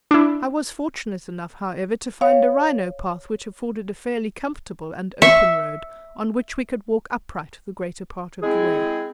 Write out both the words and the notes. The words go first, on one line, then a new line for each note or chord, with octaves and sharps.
I was fortunate enough, however, to find a rhino path which afforded a fairly comfortable and open road, on which we could walk upright the greater part of the way.
D4 E4
C#5 F5
E5 C#6
G#3 C4 E4 G#4